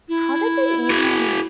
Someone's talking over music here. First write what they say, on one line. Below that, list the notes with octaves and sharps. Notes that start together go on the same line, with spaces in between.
How did they even
E4
F#4 G#4